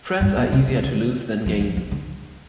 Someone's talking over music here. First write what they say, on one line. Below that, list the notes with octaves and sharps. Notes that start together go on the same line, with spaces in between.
Friends are easier to lose than gain.
G2
B2
C3
C3
D3
F3
E3
F3
D3